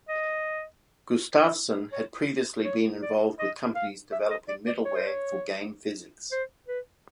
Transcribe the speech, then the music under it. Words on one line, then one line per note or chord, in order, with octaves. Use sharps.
Gustafsson had previously been involved with companies developing middleware for game physics.
D#5
C#5
C#5
D5
D#5
F5
E5
D#5
D5
D5
C#5
C5
C#5
C5
B4